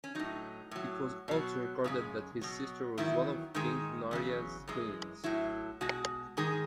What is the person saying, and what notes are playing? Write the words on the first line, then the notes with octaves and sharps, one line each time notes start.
It was also recorded that his sister was one of King Narai's queens.
C#4
A2 F#3 D#4
A2 F#3
B2 F#3
F#2 C#3 G#3
B2 F#3
E2 D#3 F#3 E4
G#2 D#3 G#3 D#4
E2 C#3 F#3
F#2 E3 G#3
A2 F#3 E4
B2 G#3 F#4
G#2 D#3 G#3 G#4